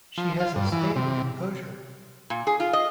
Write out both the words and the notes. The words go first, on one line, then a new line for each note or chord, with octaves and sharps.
She has a staid composure.
F3
F4
G2
E3
C3
A#2
G#4
F4
D#5